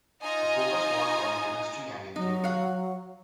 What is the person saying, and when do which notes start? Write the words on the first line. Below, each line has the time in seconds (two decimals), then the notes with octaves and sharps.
The focus was on chemistry and engineering.
0.23 D#4 F4 D#5 G#5 A#5 D#6
2.16 F#3 D#4
2.44 F#4 F5